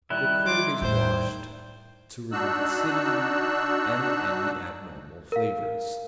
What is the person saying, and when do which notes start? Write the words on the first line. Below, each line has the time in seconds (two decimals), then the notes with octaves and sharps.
The curd is washed to remove acidity and any abnormal flavors.
0.10 D#3 G3 E4 F#6
0.46 C6 D6
0.81 E2 A2 C5 G6
2.32 D4 D#4 F#4 E6 F#6
5.32 A#4 F5